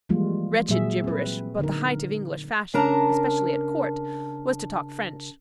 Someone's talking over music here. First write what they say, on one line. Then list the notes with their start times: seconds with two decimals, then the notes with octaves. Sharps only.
Wretched gibberish; but the height of English fashion, especially at court, was to talk French.
0.09 E3 F3 G3 G#3 A#3 F4
0.69 A#2 F#3 G#4 E5
1.04 C4 B4
1.59 D3 D#4 A#4
2.74 C#3 D4 A#4 A5 A#5